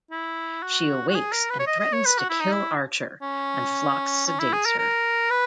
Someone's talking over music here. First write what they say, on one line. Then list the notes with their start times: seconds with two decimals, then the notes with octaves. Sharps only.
She awakes and threatens to kill Archer, and Phlox sedates her.
0.11 E4
0.63 F#4
1.08 F#4
1.14 G#4
1.32 A#4
1.50 B4
1.59 C#5
1.67 D#5
1.80 D#5
1.93 C#5
2.06 B4
2.19 F#4
2.30 E4
2.41 D#4
2.52 E4
3.22 C#4
4.26 C#4
4.40 E4
4.53 G#4
4.66 A#4
4.78 A#4
5.30 B4